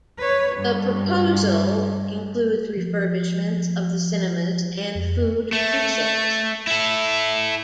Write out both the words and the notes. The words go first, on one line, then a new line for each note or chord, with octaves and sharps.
The proposal includes refurbishments of the cinemas and food precincts.
B4 C#5
G2
F3
F2
A3
E4 A4